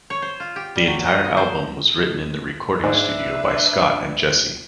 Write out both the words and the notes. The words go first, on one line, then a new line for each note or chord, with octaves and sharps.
The entire album was written in the recording studio by Scott and Jesse.
C#5
C5
F4
G4
G3
F#3
D#5
B3
C5
G#2 D4 B4 E5